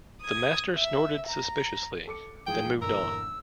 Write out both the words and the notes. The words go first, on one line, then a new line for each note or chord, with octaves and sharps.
The master snorted suspiciously, then moved on.
D#6 G#6
E5
A#5
A4 D6 C#7
G#2 E3 F3 G#4 G5
G1 A#2 E3 A#4 E6